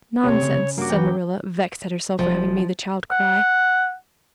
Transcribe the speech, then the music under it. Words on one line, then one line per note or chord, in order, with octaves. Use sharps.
"Nonsense," said Marilla, vexed at herself for having made the child cry.
C3 A3 C4 C#5
C#3
G2 A#3 F#4 D6
E3 G5
F1 F3
F#5